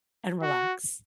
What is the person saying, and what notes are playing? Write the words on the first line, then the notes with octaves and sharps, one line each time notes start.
and relax."
F#4